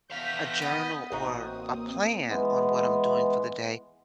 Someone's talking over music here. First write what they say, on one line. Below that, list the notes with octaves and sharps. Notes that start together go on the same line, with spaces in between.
a journal or a plan on what I'm doing for the day.
E2 F5 G6 A#6 B6
B3 D#5
A1 A#3 C4 D#4 F#4 C5 D#6
E3 G#3 B3